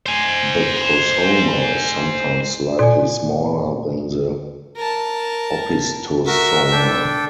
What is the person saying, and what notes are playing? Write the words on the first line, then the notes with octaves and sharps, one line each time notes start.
The prosoma is sometimes slightly smaller than the opisthosoma.
C5 G#5
A#2 A4 D5 G#5
A#4 A5
F#4 A#4 E5
D4 A4 G5